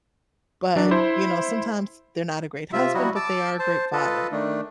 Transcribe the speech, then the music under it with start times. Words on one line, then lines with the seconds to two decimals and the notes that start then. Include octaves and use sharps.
but, you know, sometimes they're not a great husband, but they are a great father,
0.76 F#3 D4
0.91 E4 C5
2.73 C3 F4 E5
2.94 F#3 G3 E4 F#4 D#5
3.16 A5 D6 E6
3.59 C5 A5
3.93 F4 A4 B4 D#5 A5
4.32 D#3 A3 D4